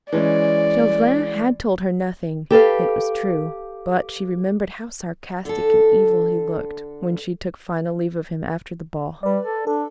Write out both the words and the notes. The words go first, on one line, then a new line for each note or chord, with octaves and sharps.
Chauvelin had told her nothing, it was true; but she remembered how sarcastic and evil he looked when she took final leave of him after the ball.
E3 G#3 C#4 D5
G4 A4 B4 F5
D3 A4
G3 B4 D5
A4
D4 A4